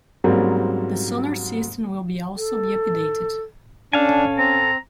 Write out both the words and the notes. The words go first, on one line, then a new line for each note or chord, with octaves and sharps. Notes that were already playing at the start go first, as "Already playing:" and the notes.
The sonar system will be also be updated.
G#2 F#3 G3 A#3 C4 C#4
A4
C#4 D4 A4 F5 G#5
C4 A#5